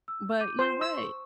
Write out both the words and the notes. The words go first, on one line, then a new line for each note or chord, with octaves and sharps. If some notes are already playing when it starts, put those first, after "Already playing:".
But you're right.
E6
D6 G6 D#7
F4 C5
C6 E6
C#6